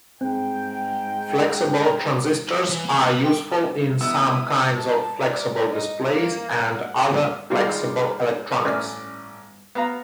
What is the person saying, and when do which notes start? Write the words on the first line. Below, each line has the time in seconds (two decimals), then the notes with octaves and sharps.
Flexible transistors are useful in some kinds of flexible displays and other flexible electronics.
0.21 G#2 C4 G5
2.69 E3
2.84 A#3
3.06 B4
3.24 G5
4.01 E3 B3 E4 E5 D#6 E6
4.77 A5
5.21 D5
5.72 D#4
6.06 A#3
6.73 F#5
7.50 D#3 G3 G#3 F4 D5
8.65 A1 A3 C#4 D5 E6 F6
9.75 B3 F5 A#5